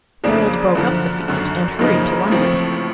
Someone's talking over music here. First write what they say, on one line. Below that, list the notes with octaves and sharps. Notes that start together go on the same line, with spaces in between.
Harold broke up the feast and hurried to London.
F2 C#3 F3 A#3 D4
F#2 D3 F3
G#1 F#2 D3
F#2 C#3 F3 A#3 D#4
A1 A2 F3 A3 C4